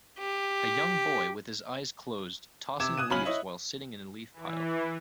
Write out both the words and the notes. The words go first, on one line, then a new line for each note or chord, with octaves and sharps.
A young boy with his eyes closed tossing leaves while sitting in a leaf pile.
G4
C3 D6 G#6 E7
D#6 F#6 D#7
C#2 F#3 C#4 B5 F6 F#7
E4 C#5 D#5 E5
E3